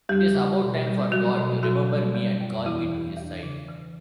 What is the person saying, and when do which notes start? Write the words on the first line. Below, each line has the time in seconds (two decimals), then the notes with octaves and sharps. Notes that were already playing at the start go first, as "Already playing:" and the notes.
It's about time for God to remember me and call me to his side.
0.09 E2 G3 G4
0.34 C#3
0.61 B2
0.87 G3
1.11 F#3 G3 F#4
1.37 B2
1.63 B2 F#3 F#4
1.89 G3
2.15 G3
2.41 F#2
2.66 E2 E3 E4
2.92 E2
3.17 E2
3.43 C#3
3.69 E3